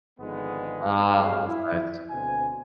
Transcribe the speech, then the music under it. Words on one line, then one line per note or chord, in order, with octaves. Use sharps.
Ah, that's nice.
G#1 G#2 D3 F3 G#3 B3
F2 F#3 G#3 G4 F5
E4
D2 B2 C4 G#5